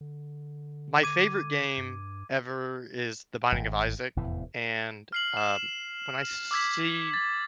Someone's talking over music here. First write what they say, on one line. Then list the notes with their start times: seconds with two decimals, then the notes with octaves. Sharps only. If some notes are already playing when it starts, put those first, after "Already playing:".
my favorite game ever is The Binding of Isaac, and, um, when I s see
0.01 D3
1.03 D6 G#6 D#7
1.78 G2
3.52 D1 G#1
4.16 F1 E2 A2 E3
5.13 F6 C7 F#7
5.37 E7
6.51 D6 E6 G#6 B6
7.14 A6